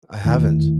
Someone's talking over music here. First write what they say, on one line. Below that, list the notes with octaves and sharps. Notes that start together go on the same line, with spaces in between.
I haven't.
E2 D#3 A3 E4